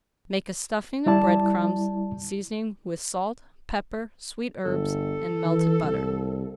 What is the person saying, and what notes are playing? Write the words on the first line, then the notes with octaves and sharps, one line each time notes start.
Make a stuffing of bread-crumbs, seasoning with salt, pepper, sweet herbs, and melted butter.
G3 E4 D5 A5
G1 A4
E3
C2